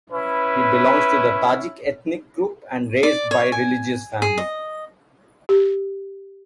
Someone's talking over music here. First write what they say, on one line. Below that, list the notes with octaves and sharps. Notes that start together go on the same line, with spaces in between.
He belongs to the Tajik ethnic group and raised by religious family.
C#4 E4 B4
D5
C#5
G#5
G#4
D#5
G4